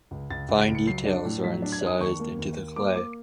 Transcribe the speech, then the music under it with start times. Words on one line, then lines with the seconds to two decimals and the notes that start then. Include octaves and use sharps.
Fine details are incised into the clay.
0.11 C#2
0.30 C#2 A6
0.48 C#2
0.61 D7
0.68 C#2
0.75 C#7
0.87 F#3 C7
1.05 D4
1.25 A2
1.44 F#3 B6
1.62 D4
1.72 G#6
1.81 D4
1.87 D#6
2.00 D#2 C#6
2.19 A#3
2.38 D#2
2.57 A#3
2.76 A#3 D6
2.95 A#3 D6